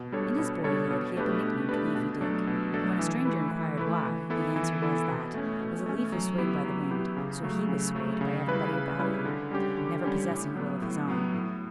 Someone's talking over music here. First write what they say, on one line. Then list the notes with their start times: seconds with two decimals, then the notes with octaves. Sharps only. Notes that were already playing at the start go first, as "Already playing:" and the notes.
In his boyhood he had been nicknamed Leafy Dick, and when a stranger inquired why, the answer was that, as a leaf was swayed by the wind, so he was swayed by everybody about him, never possessing a will of his own.
Already playing: B2
0.12 G3 D4 A4 C#5
0.38 B2
0.64 G3 D4 A4 C#5
0.90 B2
1.17 A3 D4 G4 B4
1.42 B2
1.69 A3 D4 G4 B4
1.95 B2
2.21 F#3 A3 D4 A4
2.47 B2
2.73 F#3 A3 D4 A4
2.99 E3
3.25 A3 E4 B4
3.51 E3
3.77 A3 E4 B4
4.03 E3
4.30 B3 E4 A4
4.56 E3
4.82 B3 E4 A4
5.08 B2
5.34 A3 C#4
5.60 B2
5.86 A3 C#4
6.12 F#3
6.38 B3 E4 G4
6.65 F#3
6.91 B3 E4 G4
7.17 C#3
7.42 F#3 A3
7.69 C#3
7.95 F#3 A3
8.21 C#3
8.47 G3 C#4 E4 B4
8.73 C#3
8.99 G3 C#4 E4 B4
9.25 D3
9.51 G3 C#4 G4
9.77 D3
10.04 G3 C#4 G4
10.29 A2
10.55 F#3 B3
10.82 A2
11.08 F#3 B3
11.34 A2